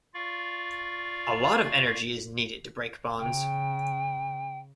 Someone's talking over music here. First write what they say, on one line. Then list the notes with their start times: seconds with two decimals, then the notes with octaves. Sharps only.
A lot of energy is needed to break bonds.
0.14 F4 D5 F5 C#6
3.20 C#3 G5